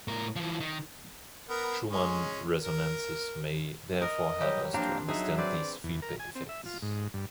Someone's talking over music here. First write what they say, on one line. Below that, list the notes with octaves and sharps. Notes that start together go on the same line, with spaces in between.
Schumann resonances may therefore help us to understand these feedback effects.
A2 A#4
E3 F3
D#3
B3 A#4
G#3 C#4
A#4
A#4 D#5
F#3 G3 G4
F3 A#3 C4 D4 G4 F5 A#5
F#3 D#4 G#4 E5
C4 B4 D5
E2
A#4
G#5
C4
E5
F4
G#2
G2